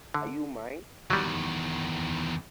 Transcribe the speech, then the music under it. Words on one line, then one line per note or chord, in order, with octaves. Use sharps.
Are You Mine?
D3
E2 D#3 F#3 G3